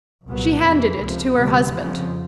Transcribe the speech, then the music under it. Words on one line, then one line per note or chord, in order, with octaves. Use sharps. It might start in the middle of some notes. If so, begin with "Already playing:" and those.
She handed it to her husband.
C2 A#2 F#3 B3
F2 C3 E3
C#2 C3 F3
D2 C3 E3 G3
F2 C#3 F3